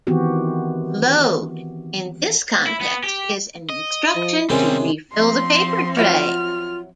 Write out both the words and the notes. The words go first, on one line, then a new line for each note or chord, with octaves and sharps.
"Load", in this context, is an instruction to refill the paper tray.
D#3 E3 B3 C4 F#4 G4
E4
B3
G4
D#5
F3
C3 D#3 G3 G#3 C4 C#4
F3 C4 C6
F#3 E4 F4 F#5 F6